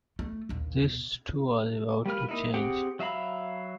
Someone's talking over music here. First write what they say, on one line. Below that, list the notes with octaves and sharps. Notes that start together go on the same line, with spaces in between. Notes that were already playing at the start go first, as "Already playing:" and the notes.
This, too, was about to change.
A3
A#1 D#2
B2
G3 A#3 B4 F6
A#3 D#4 E4
C4 G4 G#4 F#5 G5
F#3 E5 F5 A#5 B5